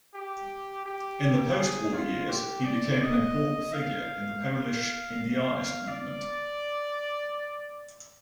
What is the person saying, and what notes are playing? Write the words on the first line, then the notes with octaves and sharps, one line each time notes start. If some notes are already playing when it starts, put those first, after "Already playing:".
In the postwar years, he became an important figure in the Polish "indianist" movement.
G4
G4
G#4
F4
G4
D5
D#5
F5
F5
D5